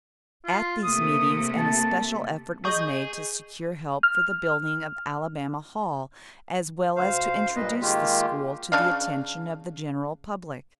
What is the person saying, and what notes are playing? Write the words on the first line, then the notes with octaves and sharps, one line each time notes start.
At these meetings an especial effort was made to secure help for the building of Alabama Hall, as well as to introduce the school to the attention of the general public.
F4
C3 A3 A#3 D#6
A5
G#4 D#5 C#6 G6
F6
D2 C5 F5
G2 A#2 B4 D#5
D#3 G#3 A#3 F4 G4
C#3 D4 F5